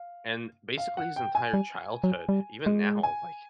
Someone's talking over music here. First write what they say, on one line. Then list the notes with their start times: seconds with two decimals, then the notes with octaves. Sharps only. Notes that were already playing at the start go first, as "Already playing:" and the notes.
And, basically, his entire childhood, even now, like,
Already playing: F5
0.78 F5
0.97 F#5
1.16 G5
1.35 G#5
1.53 G3
2.04 F#3
2.29 G3
2.66 G#3
3.03 G#5